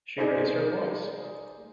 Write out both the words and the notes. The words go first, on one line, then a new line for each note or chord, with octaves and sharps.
She raised her voice.
D#4 G#4 C5 D5